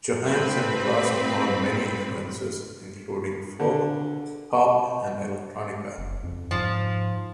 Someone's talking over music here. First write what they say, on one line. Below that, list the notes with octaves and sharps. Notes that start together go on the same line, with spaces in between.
Johansen draws upon many influences, including folk, pop, and electronica.
A2 C4 B4 B5
D3
F#1
F2
G#2 F3